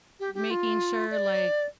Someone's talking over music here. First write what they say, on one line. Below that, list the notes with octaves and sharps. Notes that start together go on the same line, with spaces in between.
making sure, like,
G4
G4
F4
D5